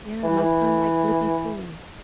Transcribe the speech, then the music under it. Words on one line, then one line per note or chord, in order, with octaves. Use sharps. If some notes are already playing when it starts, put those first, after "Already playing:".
Yeah, my son like Blippi too.
E3
E3